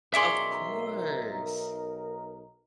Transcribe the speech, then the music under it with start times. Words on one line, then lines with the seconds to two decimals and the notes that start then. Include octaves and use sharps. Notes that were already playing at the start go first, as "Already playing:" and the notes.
Of course.
0.14 B1 D#4 G#4 A#4 D5 E5 C6 C#6